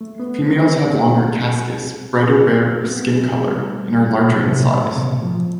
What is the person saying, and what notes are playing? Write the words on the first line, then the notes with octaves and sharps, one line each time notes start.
Females have longer casques, brighter bare skin color and are larger in size.
A3
B3
C4
C4
C4
A3
B3
A3
G3
A2
B2
C3
A2
B2
A2
C3
B2
F3